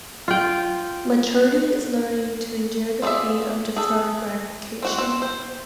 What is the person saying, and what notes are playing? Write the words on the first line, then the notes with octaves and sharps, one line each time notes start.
Maturity is learning to endure the pain of deferred gratification.
F4 G5
F4 G#4 C#5 D5 E5
G#4 A4
C4 F#4 F#5
C4
C5